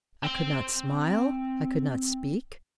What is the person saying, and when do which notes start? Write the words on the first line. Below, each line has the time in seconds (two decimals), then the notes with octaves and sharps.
I could not smile, I could not speak.
0.24 C4 C6